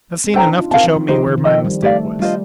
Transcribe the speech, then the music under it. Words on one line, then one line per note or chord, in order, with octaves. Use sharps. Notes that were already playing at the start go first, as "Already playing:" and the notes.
I've seen enough to show me where my mistake was.
C4
D4 A4 C5 G5 A#5
D#4
F4
C4 A#4 F5 A5
F3
D#3
F3 D#4 G4 C5
D#3
D#3
F3 A4 D#5 G5
G3
A3 G4 D5 F5
G3 D4 F4 C5 D#5